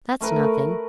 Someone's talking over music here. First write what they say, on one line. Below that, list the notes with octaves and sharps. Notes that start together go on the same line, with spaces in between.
'That's nothing.
A3 A#4 B4